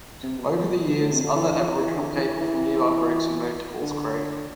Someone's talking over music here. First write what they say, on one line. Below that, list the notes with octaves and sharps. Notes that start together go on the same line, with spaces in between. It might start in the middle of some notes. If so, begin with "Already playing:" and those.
Over the years other Aboriginal people from nearby groups have moved to Halls Creek.
C3
B2
A2
C3
D3
E3
E3
F3
E3
D3
E3
E3
D3